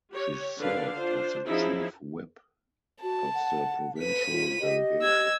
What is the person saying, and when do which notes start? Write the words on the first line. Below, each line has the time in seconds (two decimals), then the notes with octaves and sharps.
She served as the chief whip of the provincial delegation.
0.11 G4 C#5
0.58 D3 D4 B4 D5 F5
0.94 D4 F4 C5
1.47 F3 C#4 D#4 E4 G#4
3.03 F#4 A5
3.34 F#5
3.99 B4 B6 D#7
4.32 F4
4.61 G4 D#5
5.02 E6 G#6